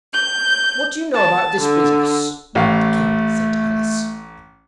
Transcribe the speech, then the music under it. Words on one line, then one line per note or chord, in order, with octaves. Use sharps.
'What do you know about this business?' the King said to Alice.
G6
A5
D3
A1 A3 F5